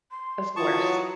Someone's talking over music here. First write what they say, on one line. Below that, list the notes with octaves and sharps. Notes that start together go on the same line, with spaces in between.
Of course.
C6
E3 F#3 F4 A5 C#6 D#6